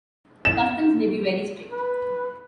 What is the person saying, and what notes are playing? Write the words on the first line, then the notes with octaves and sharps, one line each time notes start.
Customs may be very strict.
E7
B4